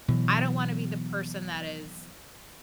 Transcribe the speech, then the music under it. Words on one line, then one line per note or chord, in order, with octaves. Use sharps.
I don't wanna be the person that is
B2 E3 F#3